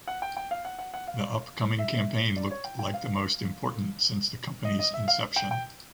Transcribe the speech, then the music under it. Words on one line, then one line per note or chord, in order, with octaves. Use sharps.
The upcoming campaign looked like the most important since the company’s inception.
F#5
G5
G5
F5
F#5
F#5
F#5
F5
E5
D5
C#5
G5
G5
F5
D#5
D#5
E5
F5
G5
G5